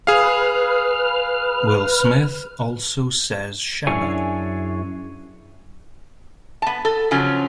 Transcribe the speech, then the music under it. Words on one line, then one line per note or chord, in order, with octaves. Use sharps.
Will Smith also says Shabba!
G#4 B4 F5 F6
F#2 D4 E4 G#4 C#5 G#5
B3 A5
A4
C#3 F3 F#3 C#4